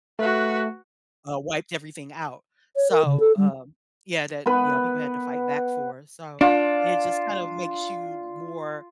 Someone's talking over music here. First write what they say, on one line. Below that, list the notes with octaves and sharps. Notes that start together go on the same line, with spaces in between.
uh, wiped everything out. So, um, yeah, that, you know, people had to fight back for, so, it just kind of makes you more,
A3 F#4 B4
C#5
A#4
C#3
A4
G3
B3 B4
D4 F4